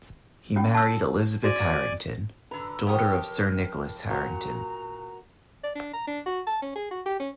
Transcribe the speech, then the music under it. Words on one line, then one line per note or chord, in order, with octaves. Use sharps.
He married Elizabeth Harrington, daughter of Sir Nicholas Harrington.
C#4 F4 G5
A5 E6
F#4 D5 G#5
D3 A4 B4 A#5
F2 G4 A#4 C#5 G5 D#6
A#2 F#4 A#4 A#5
D5
D4
A#5
D4
F#4
A5
C#4
G#4
F#4
G4
C#4